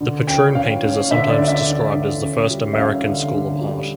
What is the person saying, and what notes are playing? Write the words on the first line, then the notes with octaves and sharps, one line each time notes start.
The patroon painters are sometimes described as the first American school of art.
D3
C#4 G5
C#4 F5
C#4
D3 E5
D5
D3
E5
D3
D3
C#4
G3
E5
C#4 F5
D3
D3
G3